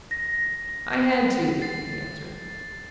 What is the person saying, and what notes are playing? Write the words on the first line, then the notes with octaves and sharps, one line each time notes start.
"I had to," he answered.
A#6
A6 C7